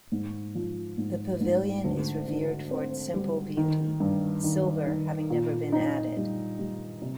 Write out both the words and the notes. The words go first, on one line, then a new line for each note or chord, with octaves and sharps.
The Pavilion is revered for its simple beauty, the silver having never been added.
G#2
F3
G#2
G#2
D2
D3
C4
G3
D#3
G2
D#3
D#3
A#2
D#4
G3
G3
C3